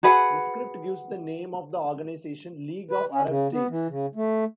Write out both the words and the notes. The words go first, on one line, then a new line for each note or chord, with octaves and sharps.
The script gives the name of the organization: "League of Arab States".
F#4 G#4 B4 F#5
B4
C#4
C#3
B3
E3
C#3
A3